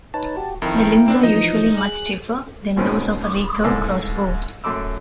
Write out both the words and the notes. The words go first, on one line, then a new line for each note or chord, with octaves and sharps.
The limbs are usually much stiffer than those of a recurve crossbow.
D#4 B4 C#5 A5
F#4 G4
F2 D#3 E4 A#4 G5
A#3 C4 D4
E3 F3 D#4 D#5
G#4 F#6
D#2 G#2 B2 D#3 C4 C#4
C2 G#2 A4 D5
F#2 A3 C6 D6 E6